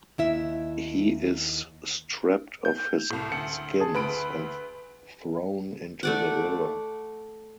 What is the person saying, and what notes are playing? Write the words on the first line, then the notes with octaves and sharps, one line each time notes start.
He is stripped of his skins and thrown into the river.
D#2 E4 E5
G6
C2 A2
D2 C#7
G#4 A5
D2 B4 B5 D7
A3 D5 F#5